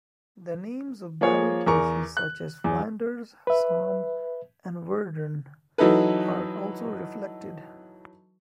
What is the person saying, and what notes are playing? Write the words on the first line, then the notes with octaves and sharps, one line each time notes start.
The names of battle places such as Flanders, Somme and Verdun are also reflected.
F3 A#3 G#4 C#5
E2 A#4 C#6
F#6
E2
B4 E5
E3 F#3 D#4 A4 B4